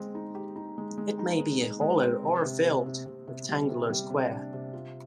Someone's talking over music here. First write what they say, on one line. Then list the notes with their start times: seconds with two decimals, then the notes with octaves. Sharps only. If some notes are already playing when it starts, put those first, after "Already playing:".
It may be a hollow or filled rectangle or square.
Already playing: G#3 C4
0.15 D#4
0.35 G4
0.56 D#4
0.78 G#3
0.98 G#3
1.19 D#4
1.39 G#3
1.61 G#3
1.81 G#3
2.02 C4
2.23 C3
2.45 C3
2.64 C3
2.86 C3
3.06 C3
3.28 C3
3.49 G3
3.69 C3
3.90 G3
4.10 C3
4.31 D4
4.53 C3
4.73 F4